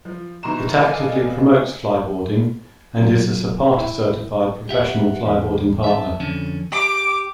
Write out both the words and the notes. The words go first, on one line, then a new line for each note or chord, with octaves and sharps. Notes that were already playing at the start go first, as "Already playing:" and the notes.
It actively promotes FlyBoarding and is a Zapata certified Professional FlyBoarding Partner.
F3
B2 D#3 E3 A#5 C6 E7
A4 B4 D5 D#5 F5 G#5
F#3
E4
G4 E5 F#5
E2
E5 A5
F2 D3 C#4
G4 D6